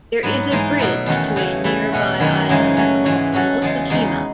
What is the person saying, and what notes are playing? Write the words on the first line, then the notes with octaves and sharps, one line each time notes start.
There is a bridge to a nearby island called Motoshima.
G#2 F#3 B3
G#2 E3 G#3 D#4
B2 F#3 A3 E4 A4
E2 D#3 A3 C#4 F#4
C#3 E3 A3
E3 A3 E4 A4
B2 A3 C#4 F#4
F#2 D#3 F#3 C#4 E4
F#2 C#3 E3 G#3 D#4
F#3 A3 C#4
G#2 E3 G#3
F#3 C#4 F#4 A4
E2 C#3 G#3
E2 C#3 G#3 D#4